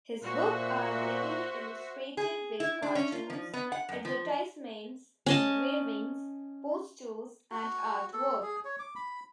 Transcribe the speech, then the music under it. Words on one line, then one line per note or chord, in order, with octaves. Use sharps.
His book are heavily illustrated with cartoons, advertisements, engravings, posters and artwork.
A#2 F#4 C5 E5
G#4
E4
D4
C#4
F4
F3
B3
F#5
F#2
F3
C#4 D#5 A5
F#4
A4
G#4
C#5
D6
B5